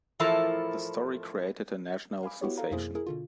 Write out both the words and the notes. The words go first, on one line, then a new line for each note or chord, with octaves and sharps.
The story created a national sensation.
A2 E3 F3 E4 A4 A#4
F5 G#5 B5 D6
B3 E4 F#4 G4 C#5
A4 F5 A#5
F2 B2 A#3 E4 G#4 C5
E4 G#4 A#4
B2 D3 F4